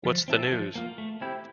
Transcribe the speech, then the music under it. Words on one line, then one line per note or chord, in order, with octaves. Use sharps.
What's the news?
F3
C4 E4 A4 E5
F3
A#3 F4
A3
C4 E4 G4